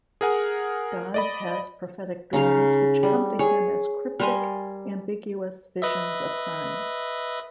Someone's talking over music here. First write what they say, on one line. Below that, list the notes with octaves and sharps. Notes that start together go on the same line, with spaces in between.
Dodds has prophetic dreams which come to him as cryptic, ambiguous visions of crimes.
G#4 A#4 F#5 G#5
D5 D#5 B5
C#3 D#4 F5 A#5
G3
G#4 C#5
G3 A#4 C5 G#5
B4 D#5 E5